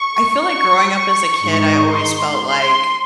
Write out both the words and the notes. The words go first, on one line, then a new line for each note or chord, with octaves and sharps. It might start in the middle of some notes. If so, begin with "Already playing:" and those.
I feel like growing up as a kid, I always felt like
Already playing: C#6
C#6
C#6
G#2 D#3 G#3 D#4
C6
C6